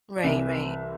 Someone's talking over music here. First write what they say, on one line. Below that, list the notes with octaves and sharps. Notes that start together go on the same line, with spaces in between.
Right, right.
D5
C2 C3 E3 E5